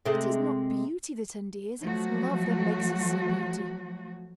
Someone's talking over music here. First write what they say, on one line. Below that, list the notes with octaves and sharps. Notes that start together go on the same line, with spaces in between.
It is not beauty that endears, it's love that makes us see beauty.
C3 G#3 A3
F3 F#3 A3 F#4